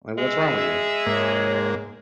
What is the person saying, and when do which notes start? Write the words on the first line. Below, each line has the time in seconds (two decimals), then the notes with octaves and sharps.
like, what's wrong with you?
0.18 G#3 G#4 E5
1.06 G#2 A#3 C#5